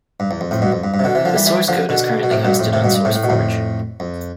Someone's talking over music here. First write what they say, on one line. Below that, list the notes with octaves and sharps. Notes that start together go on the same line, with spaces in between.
The source code is currently hosted on SourceForge.
G2
E2
F2
F2 A2
G2 B2
F2
G2
G2
C3
B2 D3
C3 E3
D3 F3
E3 G3
E3 G3
D3 F3
B2 D3
B2
A2 C3
G2 B2
F2 A2
A2 C3
G2 B2
G2
A2 C3
A2
B2
F2 A2
F2